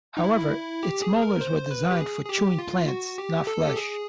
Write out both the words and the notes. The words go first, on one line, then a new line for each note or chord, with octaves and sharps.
However its molars were designed for chewing plants, not flesh.
D#4
E4
G4
G#4
A#4
C5
B4
G4
G#4
G#4
G4
F4
F#4
G4
A4
G4
G#4